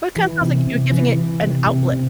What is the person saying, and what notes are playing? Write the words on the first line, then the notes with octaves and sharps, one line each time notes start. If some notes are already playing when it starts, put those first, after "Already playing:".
Well, it kinda sounds like you're giving it an outlet.
E3
C3
C3
E3
E3
C3
C3
C3